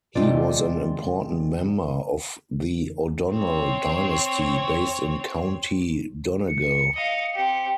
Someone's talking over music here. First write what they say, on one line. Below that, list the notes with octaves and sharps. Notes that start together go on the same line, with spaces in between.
He was an important member of the O'Donnell dynasty based in County Donegal.
D2 C3 F3 G#3 F4 D5
C4 C#5
C#7
D#5 F5
C4 G4